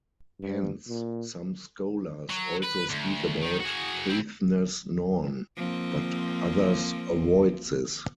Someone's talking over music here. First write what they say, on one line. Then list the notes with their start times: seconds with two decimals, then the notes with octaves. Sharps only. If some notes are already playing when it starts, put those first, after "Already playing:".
Hence, some scholars also speak about "Caithness Norn", but others avoid this.
0.39 G2
0.88 A#2
2.29 F#3
2.63 B4
2.89 D2
3.42 D#3
3.60 F#4 G#4
4.09 C4 E4
5.56 F3 A#3 C4